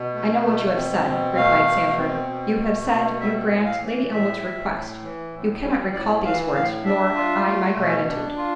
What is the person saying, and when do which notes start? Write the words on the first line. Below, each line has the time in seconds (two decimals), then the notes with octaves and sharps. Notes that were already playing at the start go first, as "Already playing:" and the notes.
"I know what you have said;" replied Sandford, "you have said you grant Lady Elmwood's request--you cannot recall these words, nor I my gratitude."
Already playing: B2
0.15 A3
0.45 B2
0.76 C4
1.06 B2
1.36 A3 F5
1.67 B2
1.98 C4
2.28 B2
2.59 A3
2.89 B2
3.20 G3 E5
3.50 A2
3.65 F5
3.80 E3
4.10 A2 E5
4.42 G3
4.71 A2
5.02 E3
5.33 A2
5.62 G3
5.93 A2 D5
6.24 E3 F5
6.54 A2 F5
6.84 D4 E5
7.15 F4
7.46 A3
7.77 B2
8.07 D4
8.37 F4